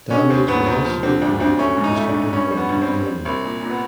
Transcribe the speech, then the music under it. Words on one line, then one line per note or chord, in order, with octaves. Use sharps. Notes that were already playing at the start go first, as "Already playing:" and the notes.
Damage was also reported in the district of Vaud in Villeneuve.
D3 C#4
D#2 C4
D#2 B3
D#2 C4
F3
D3 C4
D2 D4
D2 C4
A3 C#4
G#2
D#4
A3
D4
A3
G2 C#4
G3
B3
G2
C4
G3
G3
C2
A#2
A#2
B3